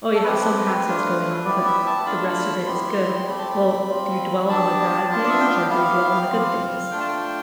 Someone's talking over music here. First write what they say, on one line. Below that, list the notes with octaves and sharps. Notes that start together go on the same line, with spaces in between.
oh, you have some hassles going on, but the rest of it is good. Well, do you dwell on the bad things or do you dwell on the good things?
A4
A3 C4 G4 B4
A3 D4 F4
B3 E4 G4 D5
E5
A5
A3 D4 F4 B5
A5
B5
B3 E4 G4 C6
A3 C4 G4 B5
A5
B5
C4 F4
B3 D4 G4 A5
B3 D4 F4 A5
D5
E5
G5
F5
B3 E4 G4 F5
C4 F4
A3 D4 F4 G5
A5
G5